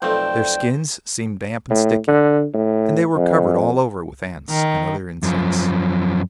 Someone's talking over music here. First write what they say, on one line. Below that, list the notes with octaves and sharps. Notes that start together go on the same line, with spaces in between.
Their skins seemed damp and sticky, and they were covered all over with ants and other insects.
B1 F2 A3 C5 D5 G5
A2
D3
A2
F2
D#3
F#2 F3